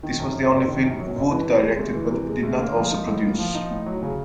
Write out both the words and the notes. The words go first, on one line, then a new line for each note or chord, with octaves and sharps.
This was the only film Wood directed but did not also produce.
D#3
F#2
F#3
F#1
D#3
F#2
F#3
F#1
E3
C3
G#3
D2
E3
C3
G#3
D2
A#3
F3
D#4
A2
A#3
F3
D#4
A2
F#3
C#3